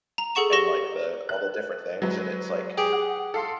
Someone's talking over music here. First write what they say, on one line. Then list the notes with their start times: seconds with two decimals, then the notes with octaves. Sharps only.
and, like, the all the different things and it's like,
0.18 A#5 F7
0.35 G#4 A4 F#5 C#6 E7
0.52 G4 C#6 A#6 G7
1.29 F#6
2.02 F#3 G#3 B4
2.78 G4 G#4
2.93 F#5
3.34 A4 F5 C6